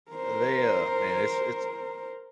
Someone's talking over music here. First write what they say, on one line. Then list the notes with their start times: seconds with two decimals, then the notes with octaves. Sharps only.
they, uh, man, it's it's
0.11 A#4 C5